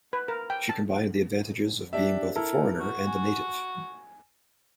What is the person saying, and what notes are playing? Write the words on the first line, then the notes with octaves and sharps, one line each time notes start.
She combined the advantages of being both a foreigner and a native.
B4
A#4
G5
A5
D4 G4 E5
E4 A4 A#4
F#4
G#5